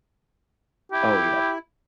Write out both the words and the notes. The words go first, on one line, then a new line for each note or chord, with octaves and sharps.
Oh, yeah.
E4 G4